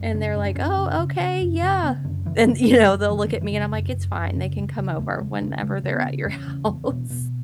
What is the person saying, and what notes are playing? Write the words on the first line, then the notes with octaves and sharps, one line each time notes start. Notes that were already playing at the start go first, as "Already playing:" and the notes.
And they're like, "Oh, okay, yeah." And, you know, they'll look at me, and I'm like, "It's fine. They can come over whenever they're at your house."
Already playing: F#2
C#3 D4
F#2 C#4
D4
F#2 C#4
C#3
C#3
C#3
F#2
C#3
C#3 B3
F#2 D3
C#3 E3
C#3 E3
F#2 G#3
F#2 F#3
C#3 E3
D3
F#2
E3
C#3
F#2
F#2
F#2
C#3
E2
C#3
E2 A3
C#3 G#3
C#3 G#3
C#3 G#3
C#3
A3
B3
C#3
E2 C#4
C#3
E2
B2
B2